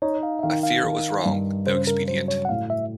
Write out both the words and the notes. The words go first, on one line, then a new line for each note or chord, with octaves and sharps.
I fear it was wrong, though expedient.
D#4 C#5
F5
E5
D#3 F5
F5
D#3
G2
C#3 C5
A#4
F#3 C5
C#5
F#5
A2 F5
E5